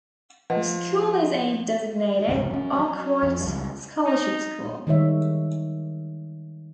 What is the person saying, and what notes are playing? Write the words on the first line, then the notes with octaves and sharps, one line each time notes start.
The school is a designated Arkwright Scholarship School.
F3 B4 D#5 F#5
F1 C#2 G#2 A3
F#3 C#4
F#3
F2
C#2 G3
D#4
D#3 G3 G#3 C#5 E5